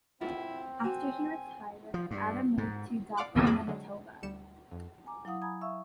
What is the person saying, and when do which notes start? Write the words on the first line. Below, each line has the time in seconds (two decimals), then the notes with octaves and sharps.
After he retired, Adam moved to Dauphin, Manitoba.
0.21 C4 E4 F4
0.84 F#4 G#5
1.94 F3
2.11 G2
2.58 G#2
3.17 D5 F5 F#5 D6 F#6
3.45 F2 F3 G#3 G#4 B5 D6
3.67 D3 F#3 G#3
4.23 D2 G3 C#7 E7
4.71 F2
5.06 G#5 A#5 D6
5.25 F#3 E4 F5 F#5 D#6
5.42 G#5 A#5 B5 D#6 G#6
5.61 E5 F5 C#6 E6